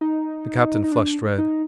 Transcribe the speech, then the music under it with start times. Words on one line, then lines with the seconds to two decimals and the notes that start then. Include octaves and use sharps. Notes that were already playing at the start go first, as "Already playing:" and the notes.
The captain flushed red.
0.01 D#4
0.84 D#4
0.92 D4
1.38 D#4